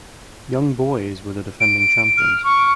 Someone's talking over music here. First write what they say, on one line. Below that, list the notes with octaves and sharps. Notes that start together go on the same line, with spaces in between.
Young Boys were the defending champions.
D7
F6
C#6